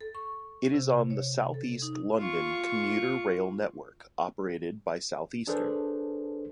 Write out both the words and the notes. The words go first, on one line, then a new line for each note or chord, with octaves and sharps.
It is on the south-east London commuter rail network operated by Southeastern.
A4
C#6
C3
C#5
A4
D#4
F4 C#6
D4 G#4 A4 B4 C5